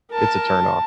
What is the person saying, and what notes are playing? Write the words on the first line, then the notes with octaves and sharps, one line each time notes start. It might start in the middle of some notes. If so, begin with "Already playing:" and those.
it's a turnoff.
A#4 A5